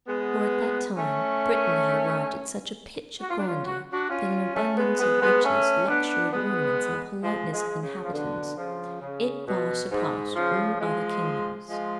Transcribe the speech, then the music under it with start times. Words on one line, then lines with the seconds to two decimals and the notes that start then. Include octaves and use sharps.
For at that time Britain had arrived at such a pitch of grandeur, that in abundance of riches, luxury of ornaments, and politeness of inhabitants, it far surpassed all other kingdoms.
0.08 G#3 B3
0.96 A3 C#4
3.20 F#4
3.29 F4
3.38 D4
3.47 C#4 F4
3.65 F#4
3.92 D4 F#4
4.09 C#4 F4
4.54 A3 C#4
4.77 G#3 B3
4.99 G#3 B3
5.21 G#3 B3
5.43 A3 C#4
5.88 B3 D4
6.33 G#3 B3
7.22 F3 G#3
7.52 F3 G#3
7.82 C#3
8.03 F3
8.12 B2 D3
8.56 C#3 F3
9.01 C#3
9.46 B2
9.91 G#2
10.35 C#3 F3
10.80 F3 G#3
11.69 F3 G#3